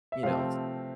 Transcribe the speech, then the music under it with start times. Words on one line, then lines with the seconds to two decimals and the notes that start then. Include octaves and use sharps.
you know, s
0.12 E5
0.23 C3 F3 A3 C4 F5